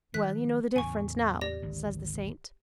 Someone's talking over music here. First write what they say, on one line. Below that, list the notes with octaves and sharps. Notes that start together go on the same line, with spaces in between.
"Well, you know the difference now," says the saint.
D#3 F3 G#3 F#6 B6
E2 A2 C#3 G#5 C#6
G4 D5 A#6
G#1 D2